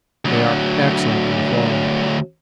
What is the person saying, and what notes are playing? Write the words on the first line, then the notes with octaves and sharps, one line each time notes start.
They are excellent in quality.
D2 F#3